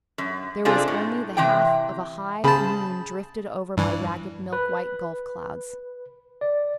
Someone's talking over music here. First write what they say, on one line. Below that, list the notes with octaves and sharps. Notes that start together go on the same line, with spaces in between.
There was only the half of a high moon drifted over by ragged, milk-white gulf clouds.
F#2
C3 C4 D4 F4 G#4 A4
A2
C3 E3 G5
C#3 G#4 C5 A5 B5
G2 E3
B4
D5